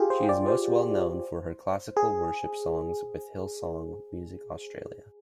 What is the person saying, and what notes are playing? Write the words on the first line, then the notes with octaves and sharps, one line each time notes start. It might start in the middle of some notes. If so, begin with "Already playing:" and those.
She is most well known for her classical worship songs with Hillsong Music Australia.
Already playing: F4 G4 G#4
C5
D5
C5
G#4